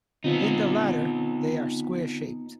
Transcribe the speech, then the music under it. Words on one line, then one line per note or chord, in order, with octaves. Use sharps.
In the latter they are square-shaped.
D3 B3 C4 D#4 F4